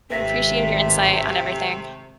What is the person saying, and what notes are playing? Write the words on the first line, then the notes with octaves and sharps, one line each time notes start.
I appreciate your insight on everything.
G#1 C3 A3 B4 E5 A#6 B6